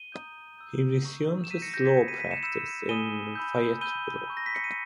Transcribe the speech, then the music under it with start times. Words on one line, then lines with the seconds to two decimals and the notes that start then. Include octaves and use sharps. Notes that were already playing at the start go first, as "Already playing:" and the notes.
He resumed his law practice in Fayetteville.
Already playing: D#7 G7
0.12 A#5 D#6 G6
0.59 A#5 E6 G6
1.05 A#5 C#6 G6
1.44 E7
1.51 A#5 E6 G6 B6 D#7
1.62 A#6 C#7
1.74 G6 A#6
1.85 G#6 B6
1.97 B5 D#6 G6 A#6 C#7
2.08 B6 D#7
2.20 B6 D#7
2.31 C#7 E7
2.43 B5 E6 G6 C#7 E7
2.89 G#5 B5 D#6 D#7 G7
3.35 B5 E6 G6
3.81 B5 E6 G6 D#7 G7
4.28 A#5 C#6 G6
4.37 A#6
4.46 B6
4.55 C#7
4.64 D#7